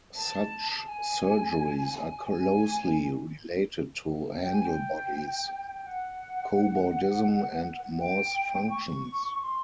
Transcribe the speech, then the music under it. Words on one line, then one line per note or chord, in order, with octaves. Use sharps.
Such surgeries are closely related to handlebodies, cobordism and Morse functions.
A5
G#5
G5
G#5
G5
G#5
G5
G5
F#5
G5
C#6
C6